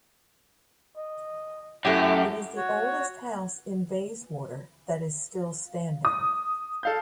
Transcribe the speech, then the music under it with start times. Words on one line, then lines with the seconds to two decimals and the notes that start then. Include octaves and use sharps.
It is the oldest house in Bayswater that is still standing.
0.97 D#5
1.85 F#2 A3 E4 G4
2.56 F#4 C#5
6.05 D#6
6.83 A4 F5 G6